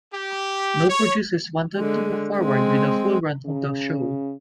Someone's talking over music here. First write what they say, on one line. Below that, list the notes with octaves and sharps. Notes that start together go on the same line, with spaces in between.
No producers wanted to move forward with a full run of the show.
G4
C#5
D3 G#3
G#3 C4
C#3